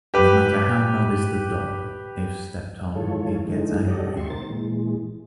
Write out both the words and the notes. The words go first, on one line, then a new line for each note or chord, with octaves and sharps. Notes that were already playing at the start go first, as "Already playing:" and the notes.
No matter how modest the dog, if stepped on, it gets angry.
G4 B4
D#3 E3 G#3 F4 A4 C#5
D3 E3 G#3 A3 D#4
C#4 F#4 G4 A4 D5 D#5
D#2 G#3 G4 E5 C6 C#6
B2 D#3 A#4 C5 A6
A#2 E3 G#3